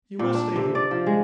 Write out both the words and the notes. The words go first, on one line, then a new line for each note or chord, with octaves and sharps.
You must stay here.
A#2
D4
C3
D5
F3
G#3